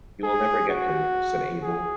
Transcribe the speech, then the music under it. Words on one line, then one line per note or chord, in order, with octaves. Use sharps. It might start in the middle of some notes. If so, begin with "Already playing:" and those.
"You will never get her," said Abel.
G#4
F#4
G#4